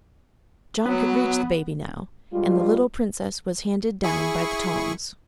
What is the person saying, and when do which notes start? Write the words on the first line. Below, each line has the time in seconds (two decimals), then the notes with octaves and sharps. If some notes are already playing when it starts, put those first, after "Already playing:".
John could reach the baby now, and the little princess was handed down by the tongs.
0.86 F#3 B3
2.33 G2 G3 G#3 F4
4.04 E4 G#4 C#6